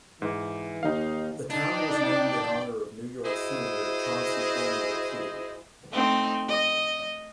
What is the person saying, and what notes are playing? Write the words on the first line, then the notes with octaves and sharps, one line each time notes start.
The town was named in honor of New York Senator Chauncy M Depew.
G#2 E3
D#2 D#4 F5
D4 D#4 D5 G5
E4 F#4 G#4 C5 D#5
A3 C4 D#4
D#5